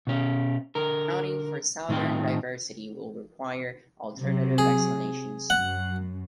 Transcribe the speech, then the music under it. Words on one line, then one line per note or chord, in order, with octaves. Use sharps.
Accounting for southern diversity will require alternative explanations.
B2 C#4
D3 A#4
A2 D#3 C4 F4 G5
C3 F#3
G#4
F#2 F#5